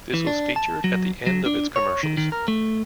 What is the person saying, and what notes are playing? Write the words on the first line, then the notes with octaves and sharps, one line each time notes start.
This was featured at the end of its commercials.
E3
D4
A5
F#3
F#3
D4
C#5
D#3
D#3
A#4
A3